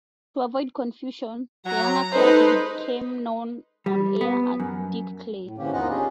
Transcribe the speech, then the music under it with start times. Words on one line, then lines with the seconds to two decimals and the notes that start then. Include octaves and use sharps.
To avoid confusion, the younger Clark became known on-air as "Dick Clay".
1.65 F#3 A#5
2.13 G#3 D#4 A4 B4 C5
3.86 G3
4.21 B3
4.60 F#2
5.45 A2
5.58 G#2 D3 E3 A#3 C#4 G4
5.73 D#2 B3 D#4 F4 D#5 F#5
5.90 C#4 D4 F4 G4 G#4